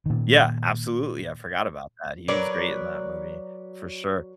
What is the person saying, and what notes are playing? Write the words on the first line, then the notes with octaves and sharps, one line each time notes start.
Yeah, absolutely, I forgot about that, he was great in that movie, for sure,
A#2 D#3
F#3 A#4 B4 D5